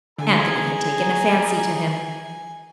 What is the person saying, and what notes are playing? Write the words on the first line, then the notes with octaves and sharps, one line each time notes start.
Anthony had taken a fancy to him.
D3 G#4 G#5 A#5